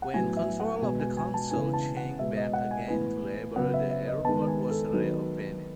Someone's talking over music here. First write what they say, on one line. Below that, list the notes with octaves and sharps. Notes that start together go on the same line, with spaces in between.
When control of the Council changed back again to Labour the airport was reopened.
F#5
A2 F#3 B3 G#5
E5
F#5
B2 G#3 B3 G#5
G#5
G#5
A5
C#3 E3 B3 G#5
A5
F#5
B2 G#3 B3 E5
D#5
F#5
G#5
A2 E3 B3 G#5
C#3 F#3 B3 F#5
E5
E5
D#5
D#3 G#3 B3 A5
G#5
A4
D#3 F#3 B3